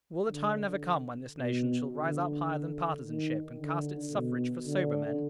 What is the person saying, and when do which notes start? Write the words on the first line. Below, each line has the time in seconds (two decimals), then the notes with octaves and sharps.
Will the time never come when this nation shall rise up higher than partisanship, and cast its suffrage for sober men?
0.29 D3
1.38 B2
1.93 D3
3.02 D#3
3.58 D3
4.12 B2
4.67 D3